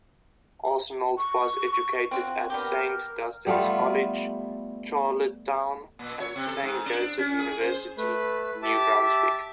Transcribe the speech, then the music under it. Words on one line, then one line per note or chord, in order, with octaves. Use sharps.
Arsenault was educated at Saint Dunstan's College, Charlottetown, and Saint Joseph University, New Brunswick.
C#6
C4 F4 F#4
B3 D4 G4 A#4
G3 A3 B3 F4
A#2
C#5
C3
A4
G#2
D4
C#4
G#4
C5
A3 B4
G4 E5 A5